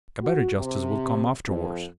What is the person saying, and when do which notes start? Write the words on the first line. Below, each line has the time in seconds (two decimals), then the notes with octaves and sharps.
A better justice will come afterwards.
0.22 F#4
0.56 C3
1.47 F2